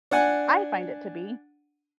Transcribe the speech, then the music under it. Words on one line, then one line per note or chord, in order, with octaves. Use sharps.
I find it to be.
D4 F#5 G#5